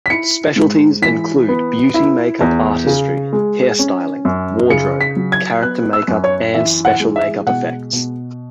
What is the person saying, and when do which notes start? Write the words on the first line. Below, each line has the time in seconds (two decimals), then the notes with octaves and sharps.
Specialties include beauty make-up artistry, hairstyling, wardrobe, character make-up and special make-up effects.
0.06 B6
0.10 E4 C#7
0.56 G#2
1.02 E3 B6
1.48 B3
1.94 E4
2.41 E2
2.86 C#3
3.33 G#3
3.79 C#4
4.25 F#2
4.70 C#3 C#7
5.01 B6
5.16 F#3
5.32 G#6
5.63 B3 F#6
5.93 E6
6.08 F#2
6.24 C#5
6.54 E3 E5
6.85 F#5
7.00 G#3
7.16 E5
7.47 B2 F#5
7.93 B2